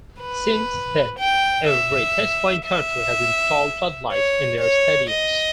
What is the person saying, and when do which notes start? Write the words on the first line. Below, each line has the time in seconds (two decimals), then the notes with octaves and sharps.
Since then every test playing country has installed floodlights in their stadiums.
0.20 B4
1.18 G5
1.67 E5
2.65 E5
4.12 C#5
4.61 C#5
5.09 D#5